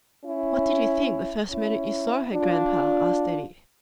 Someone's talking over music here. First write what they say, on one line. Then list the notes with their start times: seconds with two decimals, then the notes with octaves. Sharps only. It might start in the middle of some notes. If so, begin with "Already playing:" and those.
"What did you think the first minute you saw her, grandpa?" asked Eddie.
0.24 C#4 E4
1.50 C#4 E4
2.33 D4 F4